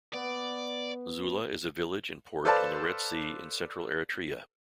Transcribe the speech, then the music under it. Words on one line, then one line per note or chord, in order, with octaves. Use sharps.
Zula is a village and port on the Red Sea in central Eritrea.
B3 D5
A4 B4 C5 D5 F5 A5